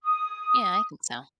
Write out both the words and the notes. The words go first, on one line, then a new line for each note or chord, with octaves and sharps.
Yeah, I think so.
D#6